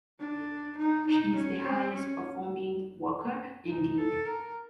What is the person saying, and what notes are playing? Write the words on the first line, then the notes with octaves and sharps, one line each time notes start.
She is the highest performing worker indeed.
D4
D#4
D#4
C#4
C4
C#4
D#4
A4
A#4